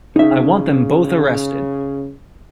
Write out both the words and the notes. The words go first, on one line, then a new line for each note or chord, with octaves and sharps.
I want them both arrested.
C#3 D#4 E5